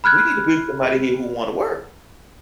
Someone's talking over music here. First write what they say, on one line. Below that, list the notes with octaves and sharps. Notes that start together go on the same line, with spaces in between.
We need to bring somebody here who wanna work.
B5 F6 F#6 G#6